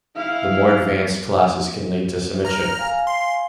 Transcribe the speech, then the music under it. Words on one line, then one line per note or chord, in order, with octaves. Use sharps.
The more advanced classes can lead to "semicha".
E4 F5
A#5 F6
F5 G#5
C6